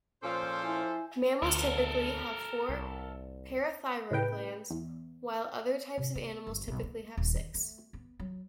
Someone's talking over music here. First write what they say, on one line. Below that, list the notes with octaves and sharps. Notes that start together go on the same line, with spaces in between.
Mammals typically have four parathyroid glands, while other types of animals typically have six.
A#2 F3 C#4 A4 C5 D6
E4 G#5
D2 A4 A#4
C2
A2 C#3 B4 G5
E2
C3
B3
G1
B1
A#3
D#1
E3
A3
B3
F#3